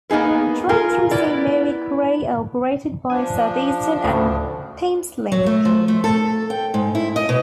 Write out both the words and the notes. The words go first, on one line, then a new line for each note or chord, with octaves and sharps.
Trains from Saint Mary Cray are operated by Southeastern and Thameslink.
A#3 B3 D#4 G#4 B4
F4 G#4 A#4
B3 E4 D5
F3 D4 G#5
D2 A2 C#3
F#3
A3
F3
A3
A4
G5
G#2
E4
D#5
B2